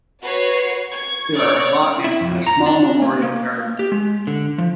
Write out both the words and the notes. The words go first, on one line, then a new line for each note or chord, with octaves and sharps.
There are allotments, and a small memorial garden.
F#4 B4 C#5 C7
C#6 G#6
C#5 D5 C#6
E4
F2
A#5
D4
A#3
A#3
G4
G#3
D3
F3